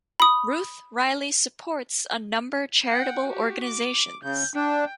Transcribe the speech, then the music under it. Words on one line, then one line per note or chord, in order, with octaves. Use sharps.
Ruth Riley supports a number charitable organizations.
B5 D#6
F#5 G5
F#4 G4
D6
C#3 G6
D4 G5